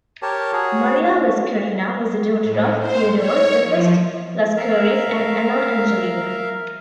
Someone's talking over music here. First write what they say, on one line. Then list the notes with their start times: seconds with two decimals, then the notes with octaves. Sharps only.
Maria Laskarina was a daughter of Theodore the First Lascaris and Anna Angelina.
0.22 G4 A#4 C#5 A5
0.53 F#4 G#4 C#5
1.01 D4
2.43 A2
2.79 C5
3.14 C#5
3.63 F3
4.56 A#4 E5 F5